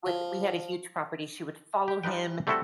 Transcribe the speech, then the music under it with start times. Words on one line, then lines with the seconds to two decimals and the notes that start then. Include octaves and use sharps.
would we had a huge property- she would follow him,
0.06 F3
1.88 G4
2.03 F3 G3 D#4 B4 G5
2.47 G3 A3 C4 E4 F#4 A4